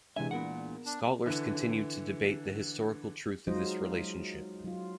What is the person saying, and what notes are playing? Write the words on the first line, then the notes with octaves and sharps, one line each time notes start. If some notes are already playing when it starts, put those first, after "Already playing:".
Scholars continue to debate the historical truth of this relationship.
C3 E3 G#3 D4 E5 G#5
A#2 B3 A#4 F#5
D4
D3 E3
F#3 G#3 D#4 F4 C5 D#5
F#3 F4